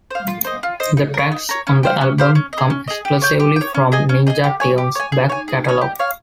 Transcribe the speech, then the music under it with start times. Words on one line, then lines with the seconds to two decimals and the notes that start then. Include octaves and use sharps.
The tracks on the album come exclusively from Ninja Tune's back catalogue.
0.11 C5 F5
0.28 F4
0.45 C5 D#5
0.63 F4
0.80 C5 D#5
0.97 D#4
1.14 A#4 C#5
1.32 D#4
1.49 A#4 C#5
1.67 C#4
1.83 G4 C5 F5
2.01 C#4
2.18 G4 C5 F5
2.35 C#4
2.53 D#5
2.58 G#4
2.70 C#4
2.88 G#4 D#5
3.05 G4
3.22 C#5 G5
3.40 G4
3.56 C#5 G5
3.75 C#4
3.92 G#4 D#5 G#5
4.09 C#4
4.27 G#4 D#5 G#5
4.44 G4
4.60 C#5 G#5
4.78 G4
4.96 C#5 G#5
5.12 G#4
5.29 C#5 G#5
5.48 G#4
5.64 C#5 G#5
5.82 G4
5.99 C#5 F5